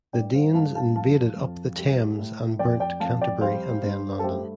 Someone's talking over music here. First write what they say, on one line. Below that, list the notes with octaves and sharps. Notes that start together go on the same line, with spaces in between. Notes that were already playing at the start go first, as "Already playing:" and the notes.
The Danes invaded up the Thames and burnt Canterbury and then London.
G2 D5 G5
C5 F5
G2 F5 A5
F5 A5
F2 F5 A5
F2
G3
A2
F2 D5 G5
D5 G5
F2 F5 A5
D5 G5
G3 C5 F5
G2
A4
A3 G4 C5